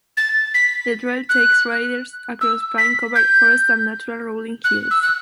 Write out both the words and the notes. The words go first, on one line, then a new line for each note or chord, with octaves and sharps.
The trail takes riders across pine covered forest and natural rolling hills.
A6
B6
F#6
E6
B6
G6
F#6
E6
F#6